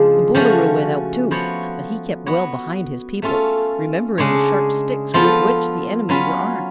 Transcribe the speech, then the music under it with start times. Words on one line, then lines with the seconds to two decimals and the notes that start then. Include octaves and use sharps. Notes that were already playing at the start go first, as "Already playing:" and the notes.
The Boolooroo went out, too, but he kept well behind his people, remembering the sharp sticks with which the enemy were armed.
Already playing: C#3 F3 G#3 D4
0.35 F3 A3 C#4 F#4
1.31 F3 B3 F#4 C#5
2.26 B3 F#4 C#5
3.22 A3 C#4 F4 A4
4.18 C#3 G#3 D4 G#4 C#5
5.14 F3 B3 F4 A4
6.09 F#3 C#4 F4 B4